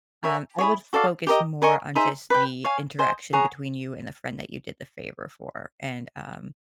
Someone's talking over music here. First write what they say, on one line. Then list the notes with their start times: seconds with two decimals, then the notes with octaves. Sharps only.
Um, I would focus more on, just, the interaction between you and the friend that you did the favor for, and, um,
0.24 A#4 C#5 E5 G#5
0.58 E4 G#4 C#5
0.93 F#4 A4 D5 F5
1.27 G4 A#4 D#5
1.62 A#4 D#5 G#5 C#6
1.95 D#4 G#4 C5 E5
2.30 B4 D5 G5
2.64 C#5 F5 G#5
2.99 C5 D#5 G#5
3.33 G#4 C#5 F#5 A#5